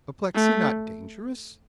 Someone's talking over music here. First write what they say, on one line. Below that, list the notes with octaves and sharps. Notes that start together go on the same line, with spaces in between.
"Apoplexy not dangerous?"
A3